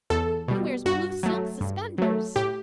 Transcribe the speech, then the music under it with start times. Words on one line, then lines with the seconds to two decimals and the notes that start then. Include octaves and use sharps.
"He wears blue silk suspenders."
0.10 E2 A4
0.48 B2 G3
0.86 G2 F#4
1.23 F#3 A3
1.61 G2
1.98 F#3 A3
2.36 A2 G4